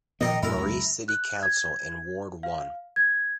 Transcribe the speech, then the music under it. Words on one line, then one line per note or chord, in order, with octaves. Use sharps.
Marie City Council in Ward One.
A#2 D#3 F3 A#3 D#4 D#5
F#2 A2 E4 A#4
C#2 F#2 C#3
F#6
G#6
F5
G#6